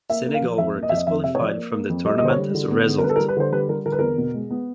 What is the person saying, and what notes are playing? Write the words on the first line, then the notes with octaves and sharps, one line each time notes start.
Senegal were disqualified from the tournament as a result.
A#3 E5
A#3
F5
F3
F2 E5
A#3
D#5
F2 E5
D#5
F2 E5
C3 E5
C#5
F3 D5
A#3
A#3
F2
G3 D#5
D#5
D3 C5
C#5
G3
D3
B3
D3
A#4
G3 B4
A4
A#4
G3
B4
D3 C5
G3 B4
G3 A#4
D3 A#4
B4
E2 A#4
B2
G#3
B3